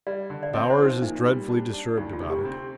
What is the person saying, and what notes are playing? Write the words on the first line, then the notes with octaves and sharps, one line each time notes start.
Bowers is dreadfully disturbed about it.
G3 D5
D3
D5
C4 D#5
C5
F3
D#4
A#2 D#4
G3
D4
D4
D2 D#4
F4
C3
G4
C4